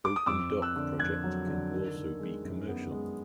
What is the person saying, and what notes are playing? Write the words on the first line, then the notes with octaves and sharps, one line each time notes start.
OpenDoc project can also be commercial.
D6
D#6
F2 D6 E6
F2
E6 F#6
D3
F2 F#6 G#6
F#3
D3
D#3
D#3
G#3
F#2
B3
G#3